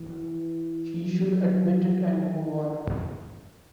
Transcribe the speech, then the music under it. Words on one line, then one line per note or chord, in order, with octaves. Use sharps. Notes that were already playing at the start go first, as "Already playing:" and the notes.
He should admit it and move on.
Already playing: E3
F#3